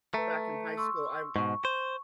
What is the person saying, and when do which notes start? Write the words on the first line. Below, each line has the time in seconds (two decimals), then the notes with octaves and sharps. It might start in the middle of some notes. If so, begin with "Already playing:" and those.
back in high school, I
0.14 A3 B4 A#5
0.77 C6 C#6 E6
1.36 G#2 B2 C#6
1.65 C5